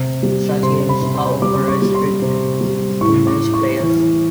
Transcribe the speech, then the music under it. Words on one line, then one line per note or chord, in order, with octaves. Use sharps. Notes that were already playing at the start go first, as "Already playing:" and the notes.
Such games are often restricted to mature players.
Already playing: C3
G3
C3 C6
B5
C3
C6
G3 D6
C#6
G3
C6
C3
G3
A2 C#6
D6
A2
C#6
E3